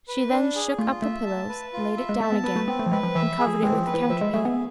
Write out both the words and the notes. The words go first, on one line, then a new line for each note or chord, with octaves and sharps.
She then shook up the pillows, laid it down again, and covered it with the counterpane.
B4
D4
G#4
A3 F4
A3 E5
A5
B4
F4
E5
G#3
A3 A5
B3
B3 B4
A3
B3 C4
A3
F3
G#3 B4
F3
E3 E5
G#4
F3
G#3 C4
E3
F3
B4
E3
F3 E5
G#3
A3 G#4
B3